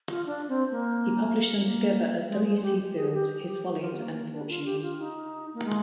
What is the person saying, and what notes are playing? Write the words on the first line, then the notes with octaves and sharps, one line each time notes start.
He published them together as "W. C. Fields: His Follies and Fortunes".
F4
D4
C4
A#3
A#3
G#3
G#3
G4
G#4
G4
G4
G4
D#4
F4
C4
A#3
A#3
D4
F4
G4
F4
D#4
A#3
G#3